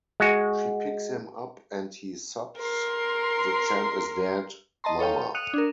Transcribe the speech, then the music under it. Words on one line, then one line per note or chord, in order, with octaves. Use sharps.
She picks him up and he sobs, The Champ is dead, mama.
G#3 F#4
A#4 C6
D#5 A5 A#5 C6
A4 C#5 F5 G5
D#6 F#6 C#7 D#7 F7
D4 A#4